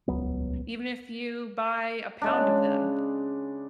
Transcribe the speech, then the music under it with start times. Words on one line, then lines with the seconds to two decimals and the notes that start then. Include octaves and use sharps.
even if you buy a pound of them.
0.08 D#1 C#2 F#3 B3
2.22 C#3 G#3 D4